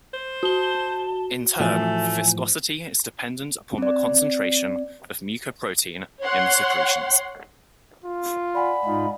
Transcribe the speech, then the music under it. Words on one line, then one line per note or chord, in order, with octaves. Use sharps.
In turn, the viscosity is dependent upon the concentration of mucoprotein in the secretions.
C5
F#4 A5 G7
A2 E3 F3 A3 G#5
C4 D5
C#5 F#5 C6
F4
D5 F#5 G#5 B5
G#2 D#4 F4